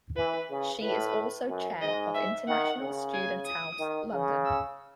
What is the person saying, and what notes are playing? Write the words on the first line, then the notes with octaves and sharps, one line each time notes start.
She is also Chair of International Students House, London.
E3 B4
C#3
A2 B4
F#2
G#2 D#5
E5
D#3 F#5
C#3
G#5
D#6
D#3
C#3
E6